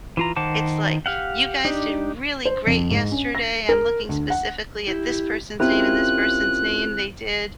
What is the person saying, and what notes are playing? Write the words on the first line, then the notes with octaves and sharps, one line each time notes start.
it's like, "You guys did really great yesterday. I'm looking specifically at this person's name and this person's name. They did,
E3 F4 A#5
D#3 C5 F#5 A5 D6
G4 F5 F#5
D4 D#4 G4
C5
F2
G#2
C#4
A#6
A#4
D2
F#5
E4 G4
C4 C#4 E4 F4 G4 A#4 F#6